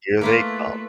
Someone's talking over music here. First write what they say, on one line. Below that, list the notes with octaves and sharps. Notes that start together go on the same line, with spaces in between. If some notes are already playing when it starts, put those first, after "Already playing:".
Here they come.
A3 A#3 E4 F4 B4